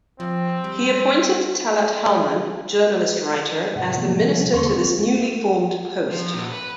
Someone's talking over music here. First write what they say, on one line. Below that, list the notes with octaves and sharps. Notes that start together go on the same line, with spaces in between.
He appointed Talat Halman, journalist-writer, as the minister to this newly formed post.
F3 C4
G3
G#2 C3 F#5
C3 D#3 F3 G#3 A#3 B3
C3 F3 G3 B3 C#4
E2 D3 A#3 A4 C6 C#6
C4 F4
F3
A#2 G4
B4